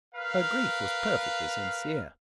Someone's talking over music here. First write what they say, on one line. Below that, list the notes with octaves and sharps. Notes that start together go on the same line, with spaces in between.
Her grief was perfectly sincere.
A#4 B4 F5